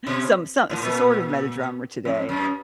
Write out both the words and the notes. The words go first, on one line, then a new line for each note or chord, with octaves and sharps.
Some so s sort of met a drummer today,
B2
A2
A#2
F2
F#2